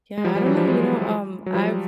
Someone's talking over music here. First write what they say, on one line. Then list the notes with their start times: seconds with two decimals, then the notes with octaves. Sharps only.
Yeah, I don't know, you know, um, I've
0.18 G#3
0.25 F3 G3
0.35 F3 G3
0.46 E3 F#3
0.57 F3 G3
0.68 F#3 G#3
1.46 F#3
1.54 F3 G3